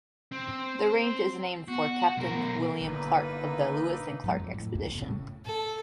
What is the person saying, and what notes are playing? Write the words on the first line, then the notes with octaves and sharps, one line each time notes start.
The range is named for Captain William Clark of the Lewis and Clark Expedition.
C4
B3 F#4
B1 A#4
G1 A#2 D3 A#3 D#4 E4 A#4 B4
G#2 F#3 G#3
F2
A2
C2 F2 G#2 B3
E1 A#2
A2 C#3
A4